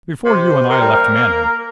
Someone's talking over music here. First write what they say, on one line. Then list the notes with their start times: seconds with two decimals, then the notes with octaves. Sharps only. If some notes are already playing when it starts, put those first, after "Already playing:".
Before you and I left Manon.
0.25 C3 C5
0.69 C3 A#4
0.81 G3
0.93 A#3
1.15 A#3